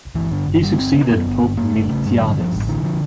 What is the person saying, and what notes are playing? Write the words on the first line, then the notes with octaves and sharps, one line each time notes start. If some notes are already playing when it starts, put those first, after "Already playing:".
He succeeded Pope Miltiades.
G1 E3
G1 D3
G1
G1 G3
B3
G1 C4
C#3 B3
F#2
G1
G1
F#2 A#3
G1 A3
C#3 A3
G2 G#3
D3 G3
F#3
G2 F3
A1
D3 E3
D3 F3